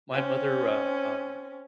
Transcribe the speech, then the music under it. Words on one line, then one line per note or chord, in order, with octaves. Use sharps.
my mother, uh, um
C4 C#4